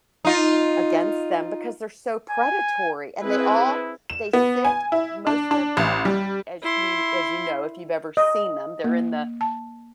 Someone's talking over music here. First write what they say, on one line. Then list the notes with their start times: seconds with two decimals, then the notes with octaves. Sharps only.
against them because they're so predatory. And they all they sit most of the, uh, as we as you know, if you've ever seen them, they're in the
0.25 D#4 F4
2.30 G#5
3.22 C4 E4 G#4 B4
4.10 E7
4.33 B3
4.65 G#5
4.92 E4
5.27 D4
5.51 D4
5.77 A1
6.05 G3
6.62 E4 C6
8.17 D#5
8.84 A#3
9.41 A5